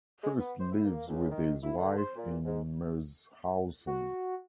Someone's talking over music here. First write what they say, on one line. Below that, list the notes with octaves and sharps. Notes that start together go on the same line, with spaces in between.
Fürst lives with his wife in Merzhausen.
G#3
B3
C5
E4
A#3
C#2
D#3
E4
D3
C5
A#2
G#2
F#4